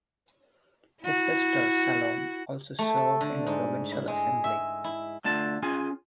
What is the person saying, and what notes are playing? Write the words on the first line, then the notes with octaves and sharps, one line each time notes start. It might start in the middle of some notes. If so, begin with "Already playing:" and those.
His sister Salome also served in the provincial assembly.
E4 F#4
A3
A4
D3
G#2
E4
G#3
E5
E4
D3 A3 F4 A5
C#4 F4 G#4 G#5